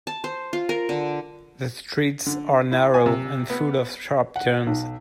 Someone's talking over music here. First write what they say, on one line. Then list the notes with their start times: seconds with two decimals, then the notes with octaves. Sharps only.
The streets are narrow and full of sharp turns.
0.07 A5
0.24 C5
0.53 F4
0.69 A#4
0.89 D3
2.26 D3
2.71 E4
2.94 G#5
3.06 C3
3.50 B3
4.36 F#5
4.67 B1